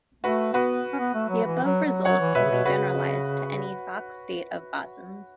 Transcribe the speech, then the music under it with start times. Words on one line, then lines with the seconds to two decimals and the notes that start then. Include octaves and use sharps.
The above result can be generalized to any Fock state of bosons.
0.24 A3 F#4 B4
0.54 B3 F#4 B4
0.93 C#4
0.99 B3
1.14 A3
1.30 F#3
1.45 E3
1.64 F#3
1.85 F#3
2.05 F#3 C#5 F#5
2.20 E3
2.35 B2 B4 E5
2.45 C#3
2.50 B2
2.65 C#3 F#4 B4